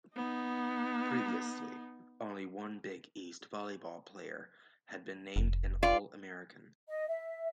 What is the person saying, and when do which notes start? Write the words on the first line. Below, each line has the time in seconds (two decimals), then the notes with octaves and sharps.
Previously only one Big East volleyball player had been named an All-American.
0.16 B3 D#4
5.36 F1
5.83 F4 D5
6.88 D#5
7.08 E5